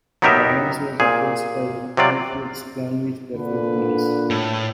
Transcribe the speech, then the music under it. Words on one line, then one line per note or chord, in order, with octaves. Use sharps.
Byrnes was opposed by the Ku Klux Klan, which preferred Blease.
F#3 B3 D#4 G4 A#4 E5
A#2 G#4
C3 F#3 F4 D5
A#2 D3 B4
A2